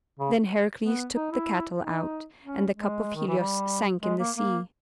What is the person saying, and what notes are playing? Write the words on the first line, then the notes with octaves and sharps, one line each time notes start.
Then Heracles took the cattle out, and the cup of Helios sank in the sea.
C#3
B3
D#4
E4
D#4
C#4
G#3
D#3
E3
G3
G#3
A#3
A#3